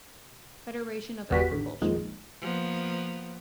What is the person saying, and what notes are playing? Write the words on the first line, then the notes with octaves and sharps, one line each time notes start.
Federation of Agriculture.
G1 E2 G3 B3 F#4 B6
A1 D3 D#3
F2 D#3 F3 G#3 A#3
A#1
F3 A#3 B3